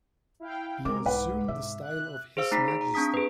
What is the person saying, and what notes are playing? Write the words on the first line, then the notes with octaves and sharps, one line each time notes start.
He assumed the style of "His Majesty".
E4 F5 G5
C#3 G#3 C4 A#4 D6
C2 G#2 B4 F5 F#5
C3 E5
F#6
G#4 C5 F5 E6
A3 D#4 A#5 B6 C7
G#4
A#5
C4 D4 A5 D#6 B6
G#4 B4